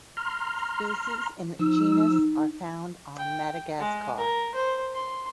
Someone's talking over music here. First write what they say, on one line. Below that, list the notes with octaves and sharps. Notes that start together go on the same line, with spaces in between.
Species in the genus are found on Madagascar.
A#5 C6 F6
F3 D#4 E6
G5
G#3
A#4
C5
C6